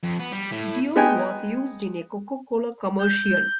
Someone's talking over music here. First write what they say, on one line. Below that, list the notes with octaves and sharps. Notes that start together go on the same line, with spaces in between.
"Deo" was used in a Coca-Cola commercial.
F2
B3
G3
A2
G#3 B3 D#4 G5 G#5
G6